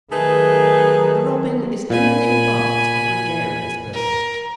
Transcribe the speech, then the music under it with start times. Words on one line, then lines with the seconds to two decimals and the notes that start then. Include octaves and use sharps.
The robin is anything but a gregarious bird.
0.11 D#3 F#3 A3 D#4 G#4 B4
1.90 A#2 G#5 B5
3.93 A#4